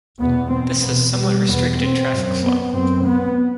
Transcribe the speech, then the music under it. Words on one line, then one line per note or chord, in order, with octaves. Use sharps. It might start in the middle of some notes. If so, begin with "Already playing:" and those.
This has somewhat restricted traffic flow.
E2 B2 B3
C4
E2 B2 B3
G3
E2 B2 B3
C4
F#2
B3
F#2 C4
B3